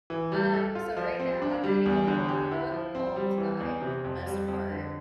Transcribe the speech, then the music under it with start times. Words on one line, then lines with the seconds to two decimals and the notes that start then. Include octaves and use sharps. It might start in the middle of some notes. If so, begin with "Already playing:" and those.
Um, so right now, I'm reading a horror book called The Eye Best Part,
0.10 E3
0.32 G3
0.54 A4
0.75 F4
0.97 F3
1.19 C4
1.42 D4
1.64 G3
1.86 E2
2.07 D3
2.28 G4
2.51 E4
2.72 F3
2.95 C4
3.16 G3
3.38 E3
3.60 E2
3.82 C3
4.04 F2
4.26 G3
4.48 F2
4.70 D3